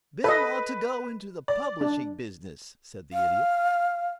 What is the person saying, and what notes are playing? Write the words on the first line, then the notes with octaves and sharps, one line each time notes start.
"Bill ought to go into the publishing business," said the Idiot.
A4 B4 D#5
D5
D4
F5